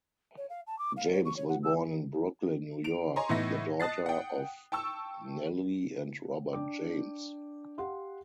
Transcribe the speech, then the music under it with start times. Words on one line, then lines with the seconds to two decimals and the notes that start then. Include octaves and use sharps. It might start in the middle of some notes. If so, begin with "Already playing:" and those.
James was born in Brooklyn, New York, the daughter of Nellie and Robert James.
0.37 C#5
0.49 F5
0.67 A5
0.78 D6
0.96 F5
1.11 C#5
1.25 C#6
1.36 C#5
1.48 F#5
1.63 E6
2.84 D7 F7
3.16 C#5 D#5 G#5 A#5 C6
3.29 A2 E3 B3 D#4 E5 A#6
3.80 D#5 A5 D#6 F#6 A6 C7
4.06 F#5 G5
4.72 G5 A5 C#6 E6
6.53 D4 G5 D6
7.78 G4 F5 F#5 C6